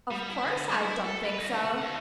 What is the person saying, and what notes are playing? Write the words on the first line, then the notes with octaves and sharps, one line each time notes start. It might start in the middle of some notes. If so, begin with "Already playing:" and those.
'Of course I don't think so!
G3
E4
D3
D3
G3
E4
A4
B4
D#2
D3
F#5
D#2